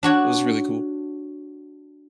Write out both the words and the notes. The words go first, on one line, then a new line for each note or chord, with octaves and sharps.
was really cool.
D4 F#4 C#5